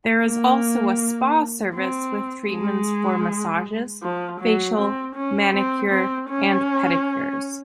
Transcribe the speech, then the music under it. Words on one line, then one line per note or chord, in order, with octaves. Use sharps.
There is also a spa service with treatments for massages, facial, manicure and pedicures.
A#3
C4
G#3
F3
F#3
C4
C#4
C4
C4
C#4